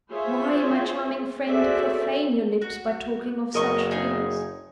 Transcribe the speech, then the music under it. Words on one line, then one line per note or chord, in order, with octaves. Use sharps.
Why, my charming friend, profane your lips by talking of such things?
F4 G#4 C5 C#5 E5
F#4 G#4 A4 C5 D5 E5
F#4
F#1 A#4 D#5 C#6
D#4 G#4 G#5